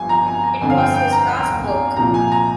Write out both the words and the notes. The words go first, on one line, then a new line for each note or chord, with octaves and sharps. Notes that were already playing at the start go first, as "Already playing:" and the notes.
It was his last work.
Already playing: G1 G2 F3 G#5
A#5
G#5
A#5
G1 F2 D3 G#5
F5
G5
G5
A#5
G#5
C2 A#2 F3 A#5
G#5
A#5